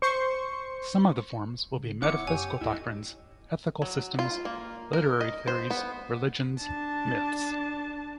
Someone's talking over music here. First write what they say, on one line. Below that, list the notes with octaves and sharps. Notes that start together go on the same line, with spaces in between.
Some of the forms will be metaphysical doctrines, ethical systems, literary theories, religions, myths.
C5 C6 C#6 C#7
C#3
D1 B3 E4 C#5 F#5 D6 C#7
F#2 G4 C#5 G#5
D2 A2 E4 D#5
F#3
F4
A#3
A#4
D#5
C5
B3
D4 A5